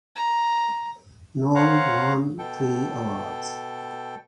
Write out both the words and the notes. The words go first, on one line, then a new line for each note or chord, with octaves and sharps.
Noll won three awards.
A#5
C#4 C5 C#5 F5 F#5 A#5
B2 A4 G5